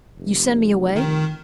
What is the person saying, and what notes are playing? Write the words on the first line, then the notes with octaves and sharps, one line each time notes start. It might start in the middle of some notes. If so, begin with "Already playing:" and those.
"You send me away?"
F1
D#3